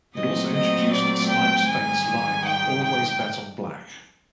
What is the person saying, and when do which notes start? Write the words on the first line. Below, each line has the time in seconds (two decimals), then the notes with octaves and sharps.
It also introduced Snipes' famous line: Always bet on black.
0.16 A#2 F#3 A3 C4 D#5
0.54 D#5
0.93 D5
1.31 G5
1.68 G#2 D#3 G3 G#5
2.45 G5
2.83 G5